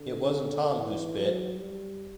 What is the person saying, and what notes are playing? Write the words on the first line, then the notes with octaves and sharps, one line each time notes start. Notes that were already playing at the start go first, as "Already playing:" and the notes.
It wasn't Tom who spit.
Already playing: D3
E3
F#3
G3